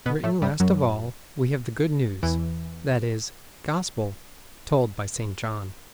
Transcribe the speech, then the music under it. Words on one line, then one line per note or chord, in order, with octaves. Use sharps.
Written last of all, we have the good news--that is, Gospel, told by St. John.
B2 B3
A2 A3
G2 G3
F#2 F#3
E2 E3